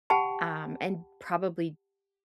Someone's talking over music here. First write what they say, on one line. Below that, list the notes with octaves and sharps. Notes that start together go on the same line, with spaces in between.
um, and probably
G4 F#5 G5 A5 B5